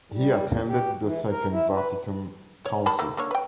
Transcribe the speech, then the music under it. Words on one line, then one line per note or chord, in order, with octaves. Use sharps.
He attended the Second Vatican Council.
G3
A#3
G4
E3
A#4
E4
B4
C#5
D#3 A5 B5
A3 A#3
D3 A#3 C#5
B4 G5